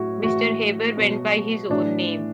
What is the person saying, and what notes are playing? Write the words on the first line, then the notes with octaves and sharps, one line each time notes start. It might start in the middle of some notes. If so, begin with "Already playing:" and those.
Mr Haber went by his own name.
Already playing: A2 F#3 E4 F#4
A2 E3 F#4
B2 F#3
A2 E3 D4